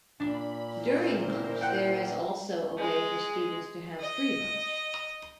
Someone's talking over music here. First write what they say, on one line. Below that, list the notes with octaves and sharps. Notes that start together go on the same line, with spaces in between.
During lunch, there is also a way for students to have free lunch.
A#2 D4 B5
E4 A#4 C5
F#5 G5
G#3
D#5